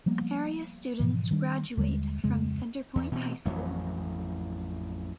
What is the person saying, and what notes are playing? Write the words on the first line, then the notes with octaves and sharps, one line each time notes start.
Area students graduate from Centerpoint High School.
F3 G3 A#3 B3
G#2 B2 E3 F3
D#3 G3 D4
D#2 D3 G3 G#3
D1 F2 C#3 G#3
E2
B2 E3 C4
A1 F2 E3 F#3